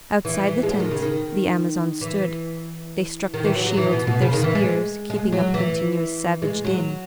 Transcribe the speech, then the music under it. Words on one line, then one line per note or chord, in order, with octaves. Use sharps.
Outside the tent the Amazons stood; they struck their shields with their spears, keeping up a continuous savage din.
E3
E3
G#3
F#3
D#3
C#3
D#3
E3
D#3
E3
F#3
F#3
E3
B2
B2
C#3
D#3
E3
G#3
G#3
F#3
E3
G#3
F#3